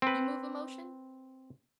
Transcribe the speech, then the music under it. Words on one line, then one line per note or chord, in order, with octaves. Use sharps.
You move a motion?
C4 B4